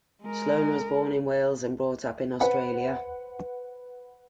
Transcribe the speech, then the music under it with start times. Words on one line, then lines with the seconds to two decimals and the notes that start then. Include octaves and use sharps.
Sloane was born in Wales and brought up in Australia.
0.22 G#3 A#4
2.40 B4 C5 F#5 B5